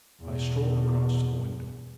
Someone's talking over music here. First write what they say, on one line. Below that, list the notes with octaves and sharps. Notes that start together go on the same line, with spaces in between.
I strolled across to the window.
E2 B2